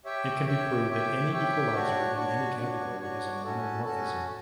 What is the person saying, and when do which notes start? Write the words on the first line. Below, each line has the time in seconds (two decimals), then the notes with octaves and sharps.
It can be proved that any equalizer in any category is a monomorphism.
0.05 G4 C#5 E5 G5
0.47 G4 C#5 E5 G5
0.89 G4 C#5 E5 G5
1.32 G4 C#5 E5 G5
1.74 D4 F#4 C#5
2.16 D4 F#4 C#5
2.58 D4 F#4 C#5
3.00 D4 F#4 C#5
3.44 C#4 F#4 A4
3.85 C#4 F#4 A4